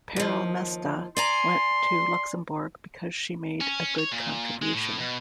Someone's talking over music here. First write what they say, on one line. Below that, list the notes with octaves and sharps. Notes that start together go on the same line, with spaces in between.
Perle Mesta went to Luxembourg because she made a good contribution.
D#2 F3
D5 G#5 A#5 C6
C#4
C#5
A#2
G#3
A2
B2